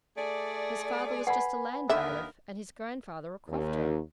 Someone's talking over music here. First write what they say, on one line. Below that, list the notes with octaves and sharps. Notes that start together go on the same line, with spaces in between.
His father was just a land bailiff, and his grandfather a crofter.'
A3 G#4 D5
B4 F#5 G#5 B5
D#2 D3 B3 A#4 E5
D#2